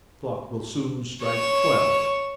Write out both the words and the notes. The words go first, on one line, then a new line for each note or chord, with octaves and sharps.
The clock will soon strike twelve.
C#5 E7